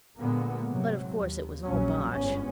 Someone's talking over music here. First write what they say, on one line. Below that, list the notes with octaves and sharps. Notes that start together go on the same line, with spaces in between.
But of course it was all bosh.
A#2 D3 G#3 A#3 B3
G#2 C3 F#3
D#2
A#1 A#2 F#3 C#4
G1 G#2 B3 C#4